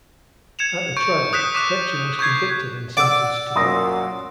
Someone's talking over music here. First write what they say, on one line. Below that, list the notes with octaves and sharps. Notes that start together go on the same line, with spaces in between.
At the trial, Ketchum was convicted and sentenced to death.
G#6 C#7 E7 F7
C#6 G6 D7
D#6 F#6 G6 B6 E7
C#6 D6 F#6
C#6 G6 G#6 C7
D5 F#5 D6 E6
F#2 A#2 F#3 C6 D#6 A#6